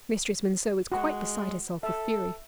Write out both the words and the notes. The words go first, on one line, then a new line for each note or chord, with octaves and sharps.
Mistress Monceux was quite beside herself with fury.
G#3 F#4
A4 E5